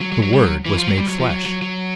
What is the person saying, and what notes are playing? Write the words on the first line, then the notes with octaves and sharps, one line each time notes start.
The Word was made flesh.
F#3
F#3
F#3
G3
F#3
E3
F3
F#3
G3
F#3
F3
F#3
F#3
F#3